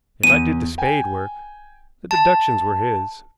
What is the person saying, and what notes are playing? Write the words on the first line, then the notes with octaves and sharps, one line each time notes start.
If I did the spade work, the deductions were his.
E2 D#7
G5 G#5
A5